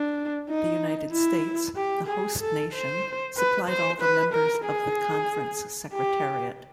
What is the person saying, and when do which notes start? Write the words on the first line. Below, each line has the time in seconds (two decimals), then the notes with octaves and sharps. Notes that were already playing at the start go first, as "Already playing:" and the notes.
The United States, the host nation, supplied all the members of the conference secretariat.
Already playing: D4
0.49 D#4
1.12 E4
1.76 G4
2.08 G#4
2.41 A4
2.73 C5
3.37 B4
3.69 C5
4.01 B4
4.33 A#4
4.65 G#4
5.93 G4